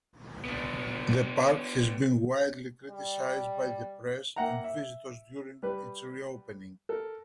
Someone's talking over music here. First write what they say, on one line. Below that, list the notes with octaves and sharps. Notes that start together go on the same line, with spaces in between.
The park has been widely criticized by the press and visitors during its reopening.
B3 D4
G3
A#3 E5 F#5 G5 A#5
E5
G3 B4
A4 A#4